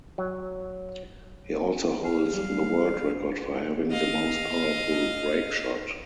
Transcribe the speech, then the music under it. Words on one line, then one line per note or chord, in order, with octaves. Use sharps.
He also holds the world record for having the most powerful break shot.
F#3
F5
F#3 G3
D#5 F5